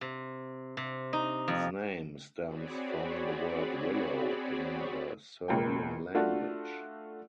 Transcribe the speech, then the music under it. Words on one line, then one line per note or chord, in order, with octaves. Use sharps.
Its name stems from the word "Willow" in the Serbian language.
C3
C3
D#4
F2
C4 F#4 G#4 C#5 D5 B5
E1 C#2 A#3 G5
A3 D4 F4 F#4